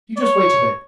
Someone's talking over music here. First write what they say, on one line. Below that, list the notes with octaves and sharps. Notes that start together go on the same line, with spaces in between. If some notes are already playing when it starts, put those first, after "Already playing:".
You just wait a bit.
C#5